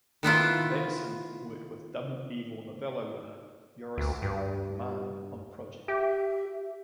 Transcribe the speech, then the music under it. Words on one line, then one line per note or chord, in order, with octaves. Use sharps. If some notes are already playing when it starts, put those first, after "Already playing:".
Davison worked with double Ivor Novello winner Joris de Man on the project.
D#3 B3 E4 F4
D2
G2
G4 E5